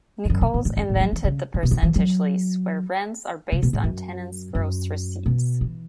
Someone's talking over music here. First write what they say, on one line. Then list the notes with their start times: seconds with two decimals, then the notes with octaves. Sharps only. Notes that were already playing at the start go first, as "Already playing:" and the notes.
Nichols invented the percentage lease, where rents are based on tenants' gross receipts.
0.25 A2
0.30 F#2
0.41 B2
0.54 A2
0.65 A2
0.77 F#2
0.89 A2
0.95 E3
1.01 F#3
1.13 E3
1.24 C#3
1.54 A2
1.63 B2
1.71 E3
1.83 E3
1.96 F#3
3.52 C#3
3.63 B2
3.73 A2
3.84 F#2
4.55 F#2
5.26 B2
5.61 E3